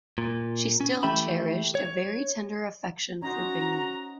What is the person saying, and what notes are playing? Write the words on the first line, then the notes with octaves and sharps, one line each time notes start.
She still cherished a very tender affection for Bingley.
A#2
C#4
E3 A3 G4 E5 G5 B5
C#5
C#4 D#4 F#4 C5 A#5